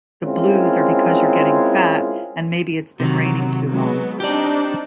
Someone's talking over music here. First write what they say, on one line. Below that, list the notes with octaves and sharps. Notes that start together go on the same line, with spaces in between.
The blues are because you're getting fat, and maybe it's been raining too long.
G#3 C4 C#4 E4 F4 A#4
C3 D#3 F#3
F#3 G#3 B3
C4 D4 D#4 G4 D5